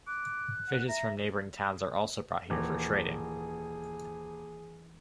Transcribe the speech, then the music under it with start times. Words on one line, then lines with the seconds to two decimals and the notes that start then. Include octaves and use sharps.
Fishes from neighboring towns are also brought here for trading.
0.07 D6 F#6
0.69 F#5
0.88 E5 A#5
2.50 D#1 E3 G#4